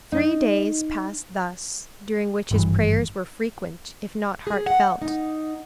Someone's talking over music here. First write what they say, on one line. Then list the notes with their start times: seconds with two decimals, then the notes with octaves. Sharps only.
Three days passed thus, during which his prayers were frequent, if not heartfelt.
0.12 D#4
2.51 G#1 G2 E3
4.47 G#4
4.66 F#5
5.02 D#4